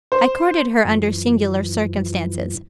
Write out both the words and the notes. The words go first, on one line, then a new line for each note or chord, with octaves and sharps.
I courted her under singular circumstances.
C5
F#2 E3 F3